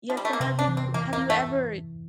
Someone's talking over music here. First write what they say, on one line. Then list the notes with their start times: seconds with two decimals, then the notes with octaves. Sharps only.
Yes, so have you have you ever,
0.10 F3
0.17 G3
0.25 A3
0.33 A#3
0.40 C3 C4
0.59 D4
0.68 E3
0.77 C4
0.94 E3 A#3
1.13 A#3
1.30 A3